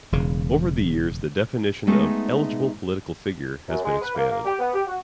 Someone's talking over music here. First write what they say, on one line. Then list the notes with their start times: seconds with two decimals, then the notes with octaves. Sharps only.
Over the years the definition of "eligible political figure" has been expanded.
0.12 E1 C#3
1.87 G#3 A3 B3 D#4 G#4
3.69 F#2
3.84 G#3
4.02 B4
4.15 A#3
4.30 A#3
4.45 G4
4.59 B3
4.74 G4
4.87 F#4